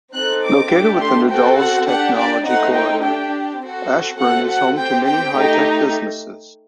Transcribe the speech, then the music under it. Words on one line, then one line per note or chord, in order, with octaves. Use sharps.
Located within the Dulles Technology Corridor, Ashburn is home to many high-tech businesses.
C4 D#4 A4 F#6
D6
A3 D4 G4
C6
C4 F#4 A4 G5
F#5
D4 G4 F#5
D5
A3 C4 D#4 F#5
G5
D4 G4 G5
C4 F#4 A4
A3 C4 F#4 A4 F#5
F#5
C4 G4 G5
G5
A3 D#4 G4